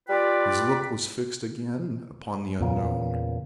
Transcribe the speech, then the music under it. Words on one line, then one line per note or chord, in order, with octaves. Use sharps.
His look was fixed again upon the unknown.
G3 F4 B4 D5 G5
E2 A#2 C#3